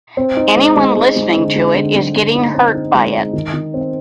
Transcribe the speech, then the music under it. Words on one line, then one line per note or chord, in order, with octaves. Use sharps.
Anyone listening to it is getting hurt by it.
C4
D#4
G#3
G#3
G#3
G#3
D3
G#3
D3
G#3
D3
D#4
C4
D#4
G#3
D#4
D#3
D#3
C4